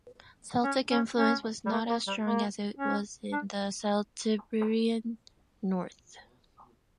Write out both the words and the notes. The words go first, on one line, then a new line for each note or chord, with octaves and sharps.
Celtic influence was not as strong as it was in the Celtiberian north.
C#4
C#4
C#4
G3
A#3
A#3
G3
A#3
C#4
D4